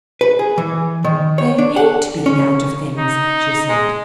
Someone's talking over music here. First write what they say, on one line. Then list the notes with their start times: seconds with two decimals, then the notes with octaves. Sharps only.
"I hate being out of things," she said.
0.21 B4
0.39 G#4
0.58 E3
1.04 D#3
1.38 C#5
1.58 D4
1.76 F#5
2.26 C#4
2.98 D#4
3.69 G#3